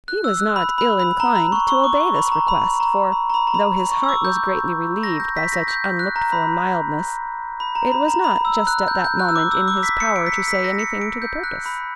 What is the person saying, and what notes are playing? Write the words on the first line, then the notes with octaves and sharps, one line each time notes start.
He was not ill-inclined to obey this request, for, though his heart was greatly relieved by such unlooked-for mildness, it was not just at that moment in his power to say anything to the purpose.
F#6
E6
F#6
B5
B5
B5
A#5
B5
C#6
C#6
D6
C#6
B5
A#5
B5
A#5
B5
A#5
B5
A#5
B5
B5
C#6
E6
D6
G6
A#6
G6
B6
A#6
G6
G6
F#6
A#5
B5
B5
A#5
B5
A#5
B5
E6
F#6
G6
G6
F#6
E6
D6
E6
D6
B6
C#7
D7
B6
C#7
B6
A#6
C#7
D7
G6
F#6
B5